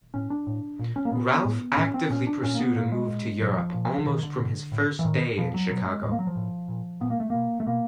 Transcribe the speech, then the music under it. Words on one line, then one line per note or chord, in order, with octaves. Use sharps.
Ralph actively pursued a move to Europe almost from his first day in Chicago.
A2 C#4
D4
A2
A#2
C#4
A#3
A#2 B3
A2
A2 C#4
C4
A#2 C#4
D4
A#2 C#4
A#3
B3
A#2 A#3
G#3
A#2
A#2 F#3
F#3
F3
A#2
D3
B2 D#3
D3
B2
A2
E3
A2 D#3
B2 F3
F#3
B2 F#3
G#3
A2 G#3
A#3
F#3
F3
A2
A#2
A#2 B3
A#3
A3
B2 A#3
A3
B2 A#3